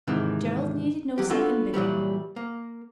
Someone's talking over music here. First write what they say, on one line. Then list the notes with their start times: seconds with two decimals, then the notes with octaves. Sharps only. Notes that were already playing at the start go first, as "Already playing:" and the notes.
Gerald needed no second bidding.
0.07 G#2 C3 D#3 E3
1.18 E2 F#3 G4
1.30 B3 C4 D4 F4 F#4 A4
1.74 A#2 E3 F#3 G3
2.36 A#3